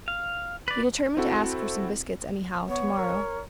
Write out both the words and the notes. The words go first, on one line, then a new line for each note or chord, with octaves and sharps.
He determined to ask for some biscuits, anyhow, to-morrow. . . .
F5
B4 D5
C4 E4 F#4 A4
B3 C#5
A#4